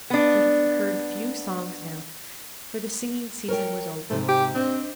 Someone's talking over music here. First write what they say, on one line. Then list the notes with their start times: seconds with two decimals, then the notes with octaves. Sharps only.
He heard few songs now, for the singing season was over.
0.10 B3 D4
3.48 A#4 C#5 G5
4.10 G#2 C3 A3
4.28 G4
4.55 C4 D4 D#5